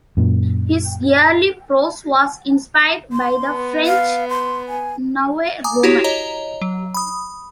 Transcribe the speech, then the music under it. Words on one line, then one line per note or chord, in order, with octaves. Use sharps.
His early prose was inspired by the French nouveau roman.
F#2 A#2
C6
B3
F5
C6
G#5
G#5 A#5 D6 D#6
E4 F#4 G4 C#5
C#5 D#5 A#5
F#3
B5 D#6